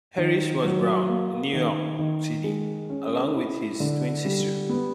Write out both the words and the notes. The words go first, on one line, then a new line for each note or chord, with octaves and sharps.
Harris was born in New York City, along with his twin sister.
D#3
F#3
A#3
D#3
D#3
G#3
C#4
E4
D3
G3
B3